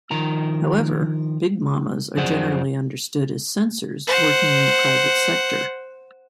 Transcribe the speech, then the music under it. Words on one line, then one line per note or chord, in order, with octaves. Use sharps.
However, big mamas are generally understood as censors working in the private sector.
D#3 F3 A#4 A#5
F#2 F3 G#4 C5 D5 F#5
C5 F#5